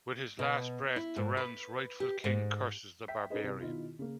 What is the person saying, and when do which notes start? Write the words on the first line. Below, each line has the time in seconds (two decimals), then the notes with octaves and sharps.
With his last breath, the realm's rightful king curses the barbarian.
0.39 B2
0.96 E4
1.16 G#2
1.37 B4
2.00 G4
2.24 G#2
3.08 E5 G5 B6
3.30 C#4 D#4 G#4 B4 C5 D#5
3.44 C2
3.60 B2 D#3 E4 F4
3.99 C#3 A#3